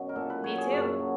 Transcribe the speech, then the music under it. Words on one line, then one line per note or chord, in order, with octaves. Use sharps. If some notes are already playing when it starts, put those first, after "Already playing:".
Me too.
Already playing: F#2 B2 F#3
A#4
A#2 A4
B4
F#3 C#5
G#4
F#2 A4
F#3